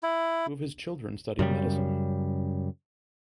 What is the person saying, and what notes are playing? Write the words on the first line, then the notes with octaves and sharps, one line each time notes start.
Two of his children studied medicine.
E4
F#2 C#3 G3